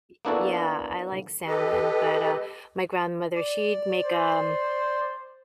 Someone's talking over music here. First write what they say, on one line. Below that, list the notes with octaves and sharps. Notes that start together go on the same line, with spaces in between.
Y yeah, I like salmon, but, uh, my grandmother, she'd make, um
A#3 B3 D4 E4 F#4 A4
G4 A4 B4 D#5
D5
C5